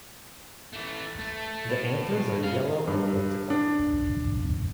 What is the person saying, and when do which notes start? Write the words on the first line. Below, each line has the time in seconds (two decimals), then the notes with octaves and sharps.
The anthers are yellow and elliptical.
0.73 E3 A3
1.19 A3
1.69 A2
2.43 C#4 F5
2.87 G2
3.50 D4